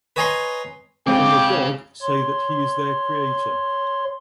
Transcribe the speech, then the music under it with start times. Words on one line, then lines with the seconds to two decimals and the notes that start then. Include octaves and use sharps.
The Magog say that he is their creator.
0.16 B4 C#5 D#5 G#5 A#5 C6
1.07 G#3 C4 C#4 G#4 F5 G5 D6
2.02 C#5 C6